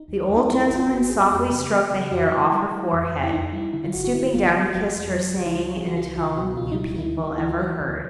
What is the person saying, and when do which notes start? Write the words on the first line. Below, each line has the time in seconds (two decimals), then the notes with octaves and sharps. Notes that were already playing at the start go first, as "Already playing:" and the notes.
The old gentleman softly stroked the hair off her forehead, and, stooping down, he kissed her, saying, in a tone few people ever heard...
Already playing: D#4
0.08 D#2
0.29 D#2
0.36 D#4
0.49 F3 E4
0.63 E4
0.70 G1
0.76 F4
0.90 G1 F#4
1.10 G1 G#4
1.18 G4
1.26 F#4
1.30 F2 G4
1.51 C#3
1.71 F3
1.91 C#3
2.11 F2 F#4
2.31 G3 E4
2.52 G3
2.72 G3
2.93 F2
3.13 F2
3.23 E4
3.33 F2 D#4
3.53 G3 E4
3.73 D3 E4
3.84 F4
3.93 G1 F#4
4.04 F#4
4.14 D3 E4
4.34 G1 F4
4.54 F#3 F#4
4.74 G1
4.95 F2
5.15 F#3
5.36 C#2 G4
5.46 E4
5.55 G3 F4
5.66 F4
5.76 C#2 G#4
5.87 F#4
5.96 C#2 F4
6.07 E4
6.16 C#2 F4
6.37 B2 F#4
6.57 C#2 F4
6.72 D#4
6.77 G3 E4
6.97 D2 E4
7.18 D2 D#4
7.38 E3 E4
7.49 F4
7.59 E3 F#4
7.79 D2